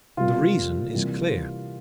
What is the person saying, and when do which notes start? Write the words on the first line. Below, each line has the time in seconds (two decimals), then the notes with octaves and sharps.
The reason is clear.
0.17 C3 G3 A#3 F4
0.94 C3 E3 G3 A#3